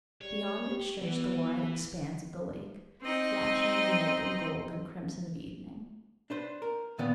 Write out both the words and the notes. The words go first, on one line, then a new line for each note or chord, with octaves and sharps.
Beyond it stretched the wide expanse of the lake, flashing in the molten gold and crimson of evening.
G3 C#5
G4
E3 B3
C4 D#4 D#5
D4 B4 C5
A#4
A#2 D#3 B3 B4 D5 F#5